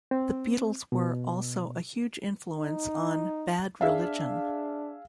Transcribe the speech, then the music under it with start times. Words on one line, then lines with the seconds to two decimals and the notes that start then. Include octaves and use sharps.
The Beatles were also a huge influence on Bad Religion.
0.11 C4
0.92 B2
2.52 D#4
3.81 D4 G#4 E5 F5